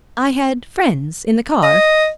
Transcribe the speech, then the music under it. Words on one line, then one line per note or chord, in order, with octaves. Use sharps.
"I had friends in the car."
D#5